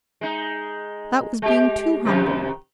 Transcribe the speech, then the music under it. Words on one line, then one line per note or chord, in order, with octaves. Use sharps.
That was being too humble.
G#3 D#4
G#3 G4
F2 C3 D#3